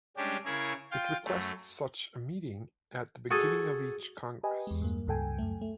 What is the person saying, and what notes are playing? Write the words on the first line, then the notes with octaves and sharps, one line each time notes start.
It requests such a meeting at the beginning of each Congress.
G3 G#3 C#4 D4 G4
C#3 E4 G#4 A#4 C#5
F4 F5 G5
F#2 A3
F#4 G#4 A4 G#5
G4 B4 D#5 G#5
E2 G#3
G2 A#3
C#2 G2 C#3 A4 G5 G#5
F#2 A3
A3